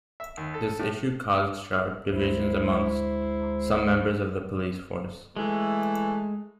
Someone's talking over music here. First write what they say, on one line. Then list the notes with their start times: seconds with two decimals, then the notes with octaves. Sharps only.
This issue caused sharp divisions amongst some members of the police force.
0.20 E5
0.37 D#2
0.54 A4
0.79 A2
2.12 D2 G#3 E4 C5
5.37 E3 G#3 A3